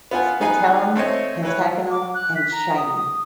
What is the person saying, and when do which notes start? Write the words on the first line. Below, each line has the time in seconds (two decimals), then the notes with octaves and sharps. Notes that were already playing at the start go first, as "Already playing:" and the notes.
Scutellum pentagonal and shiny.
0.11 B3 F4 F#5 G#5
0.41 B3 D#4 G#4 B4 G#5
0.96 A3 C4 C#5 D#5
1.43 E3 B4 C#5
1.90 D6
2.14 F#6
2.36 B6
2.52 A#5
2.77 D#6
2.96 D#6